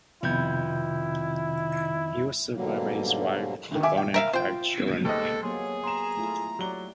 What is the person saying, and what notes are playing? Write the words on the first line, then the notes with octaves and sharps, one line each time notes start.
He was survived by his wife Yvonne and five children.
F2 C3 D#3 B3 E4 G6 G#6
G#2 B2 D3 F#3 G3 A#3
D2 D#3
E5 G#5 D6
G5
A#4 E5 F5
F4 C5 G5
D#2 G#3 G4 A4 B4 C5 D#5
F#3 A#3 B3 G#4 C#5 C6
A#5 C6 E7
A3 E4 F4
F#3 G4 D5 G7